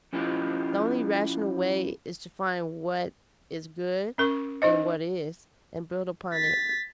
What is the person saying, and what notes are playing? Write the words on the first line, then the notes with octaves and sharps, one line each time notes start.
The only rational way is to find what is good in what is, and build upon it.
F3 C#4 E4 F4 G4 D#5
C#4 A#4 C#6
D#4 C5 D#5
A6 B6